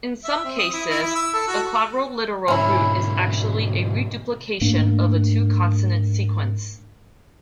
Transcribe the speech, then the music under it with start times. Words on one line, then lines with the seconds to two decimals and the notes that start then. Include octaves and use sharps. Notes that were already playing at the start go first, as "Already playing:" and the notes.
In some cases, a quadriliteral root is actually a reduplication of a two-consonant sequence.
0.24 E5
0.44 C4
0.58 D#6
0.73 E4
0.90 E4
1.03 E4
1.15 E6
1.33 A4
1.48 F#4
2.48 G#2 B2 D3 C#4 E4
4.61 G#2 A3 A#3 D4